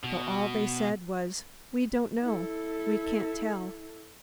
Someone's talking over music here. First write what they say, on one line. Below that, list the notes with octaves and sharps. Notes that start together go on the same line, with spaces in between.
So all they said was, "We don't know--we can't tell."
B2
E4 A4